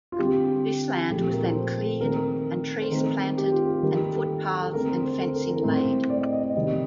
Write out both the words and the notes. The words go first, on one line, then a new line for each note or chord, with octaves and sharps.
This land was then cleared and trees planted and footpaths and fencing laid.
F4
D3 G3 C4 G4
A#2 F3 A3 C4 G4
A4
A#4
C5
D#3 A3 C4 A#4
C5
D#3 A3 C4 A#4
G4
F4
G4
D#3 G3 A#3
G4
A4
A4
D3 A3 C4 A#4
C5
C5
A4
A#4
A#4
A2 A3 C4 C5
D5
D#5
D#5
D#5
C3 D#3 G3 C4 D#5